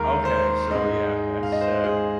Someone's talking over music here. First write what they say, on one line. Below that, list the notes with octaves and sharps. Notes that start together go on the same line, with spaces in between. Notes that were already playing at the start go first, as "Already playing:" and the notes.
Okay, so, yeah, that's, uh
Already playing: D#2 D#3 G#3 A#4
C5
G#2 G#3 D#5
F5
D#5
C5
G#4